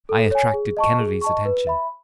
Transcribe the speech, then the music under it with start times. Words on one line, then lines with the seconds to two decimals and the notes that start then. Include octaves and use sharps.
I attracted Kennedy's attention.
0.09 A4
0.31 C#5 G#5
0.54 G#4
0.77 D#5 A5 C#6
1.00 G#4
1.22 D#5 A5 C#6
1.45 B4
1.67 E5 B5